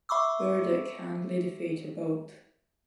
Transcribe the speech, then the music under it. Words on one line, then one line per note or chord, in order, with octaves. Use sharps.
Burdick handily defeated both.
E5 B5 C#6 D6 E6